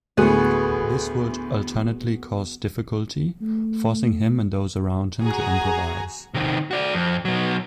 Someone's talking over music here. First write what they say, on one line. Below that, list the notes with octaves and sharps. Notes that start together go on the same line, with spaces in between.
This would alternately cause difficulty forcing him and those around him to improvise.
D2 A2 B3 F#4 G#4
A3
F#4 G#4 G#5 A#5
C3 D#3
F#4 D5
F2
B2 F#3